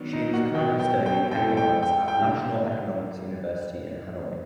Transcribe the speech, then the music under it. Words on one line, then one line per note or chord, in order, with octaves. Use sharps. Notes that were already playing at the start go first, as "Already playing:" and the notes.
She is currently studying economics at National Economics University in Hanoi.
Already playing: D#3 F#3 B3 D4
D#4 D#5
F#4 F#5
B2 F#3 B3 G5
G5
G5
G5
G#3 C4 E4 A4
G5
G5
G5
D3 G3